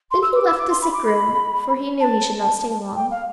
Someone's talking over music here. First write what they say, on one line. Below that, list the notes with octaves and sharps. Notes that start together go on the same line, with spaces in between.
Then he left the sick room, for he knew he should not stay long.
C6
E6
D6
E6
D6
C6
B5
D6
B5
A5
G5
F5